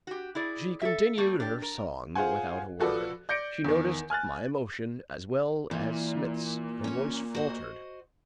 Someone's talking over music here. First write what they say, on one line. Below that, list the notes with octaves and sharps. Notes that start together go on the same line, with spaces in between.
She continued her song without a word; she noticed my emotion as well as Smith's; her voice faltered.
F#4 G4
E4 G#4 D5
A4 E5
G3 A3 A#3
D4 G4
A#4
F4 G#4 C5 F#5 G#5
F3 F#4 A4 B4 D5
D5 G6 A#6 C#7 D7
E2 D#3
G#5 F6 F#6 A6
A#2 E3
C#4 C#5
F#4 C5 D#5